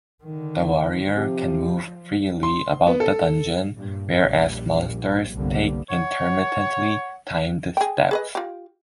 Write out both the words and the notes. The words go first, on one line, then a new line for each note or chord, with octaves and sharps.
The warrior can move freely about the dungeon, whereas monsters take intermittently timed steps.
D3 D#3
C3 F3
C6
B3
A4
G2 A#2
A#1 A#2 G3
G1 C2 D3 G3 A#3 B3
C#5 F#5
G#4 G5
G#4 B4 D#5
F4 G4